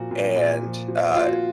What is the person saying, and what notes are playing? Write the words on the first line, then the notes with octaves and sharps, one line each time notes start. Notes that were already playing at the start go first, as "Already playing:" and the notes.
and, uh,
Already playing: A#2 F3 F#4
A#2
A#2
F3
F3
A#2 F4
F#4